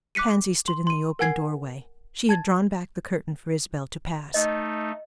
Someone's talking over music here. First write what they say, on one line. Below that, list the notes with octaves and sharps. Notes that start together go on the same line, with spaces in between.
Pansy stood in the open doorway; she had drawn back the curtain for Isabel to pass.
D6 F#6 B6 C#7 D#7
C6
C6 D#7
A#4 F#5 G#5 G#6 C7
A5 G#6 A6
A3 D#4 D#5